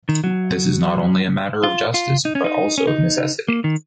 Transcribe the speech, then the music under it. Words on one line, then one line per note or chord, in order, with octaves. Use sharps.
This is not only a matter of justice, but also of necessity.
D#3
F#3
F4
F4
D#4
C#4
D#4
C#4
D#4
A#3
D#3